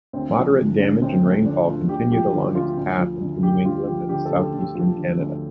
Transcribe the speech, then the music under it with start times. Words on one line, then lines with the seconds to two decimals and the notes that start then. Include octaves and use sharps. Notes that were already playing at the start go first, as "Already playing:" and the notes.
Moderate damage and rainfall continued along its path into New England and southeastern Canada.
0.13 D2 C4
0.36 F3 D4
0.58 D3
0.80 D2 D4
1.02 D2 C4
1.23 F3 A3
1.45 D3 D4
1.67 D2 F4
1.89 D2 G4
2.12 F3 G4
2.33 D3 F4
2.55 D2 F4
2.77 D2
3.00 F3
3.21 D3
3.43 D2 G4
3.65 D2 F4
3.87 F3 G4
4.09 D3 G4
4.26 A4
4.31 D2
4.42 G4
4.53 D2
4.59 G4
4.75 F3 G4
4.97 D3
5.19 D2